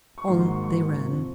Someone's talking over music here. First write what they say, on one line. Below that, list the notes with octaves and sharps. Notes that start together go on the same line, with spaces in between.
On they ran.
C#6
G#2 D#3 F#3 A#3 C6
C6
C#6
C#6
F2 C3 F3